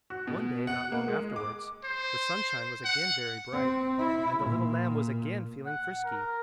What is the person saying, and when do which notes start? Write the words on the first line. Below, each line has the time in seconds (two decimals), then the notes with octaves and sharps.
One day not long afterwards the sunshine was again very bright and the little lamb was again feeling frisky.
0.10 F#4
0.27 B2
0.67 F#5
0.92 A#3
1.08 G#3
1.36 D6
1.85 C5
2.85 F#5
3.53 C4
3.99 E4
4.39 A#2
5.66 F#5
6.05 A#4